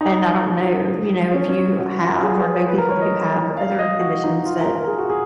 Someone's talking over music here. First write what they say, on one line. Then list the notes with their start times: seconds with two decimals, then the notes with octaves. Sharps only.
And I don't know, you know, if you have or know people who have other conditions that
0.01 D#4
1.34 C#4
1.49 C#4
1.78 F#4
2.01 F4
2.23 G#4
2.38 B4
2.53 C#5
2.68 B4
2.78 A#4
2.90 C#5
3.01 D#5
3.57 F5
3.79 D#5
4.01 F#4
4.24 D#4
4.46 F4
4.61 A#4
4.76 A#4
4.87 G#4
4.98 F#4
5.10 G#4